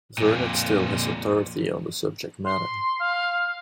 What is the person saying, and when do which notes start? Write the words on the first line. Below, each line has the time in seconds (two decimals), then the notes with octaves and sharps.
Vernet still has authority on the subject matter.
0.18 F2 A#2
2.45 C6
2.99 F5